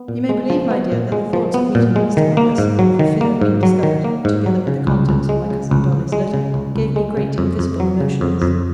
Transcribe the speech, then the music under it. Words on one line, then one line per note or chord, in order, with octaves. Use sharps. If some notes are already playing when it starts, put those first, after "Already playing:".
You may believe, my dear, that the thoughts of meeting Mr. Lovelace, for fear of being discovered, together with the contents of my cousin Dolly's letter, gave me great and visible emotions.
Already playing: B3
A#2
G#3
F3
B3
A#2
G#3
F3
B3
A#2
G#3
D#3
A#3
G#2
F#3
D#3
A#3
G#2
F#3
D#3
A#3
G#2
F#3
C#3
C#2
C#2
G#3
C#3
C#2
C#2
G#3
C#3
C#2
C#2
G#3
C#3
F2
F2
F#3
C#3
F2
F2